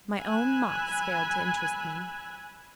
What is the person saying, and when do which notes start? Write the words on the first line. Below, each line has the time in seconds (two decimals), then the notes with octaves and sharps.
My own moths failed to interest me.
0.18 G#5 B5 E6 F#6 G#6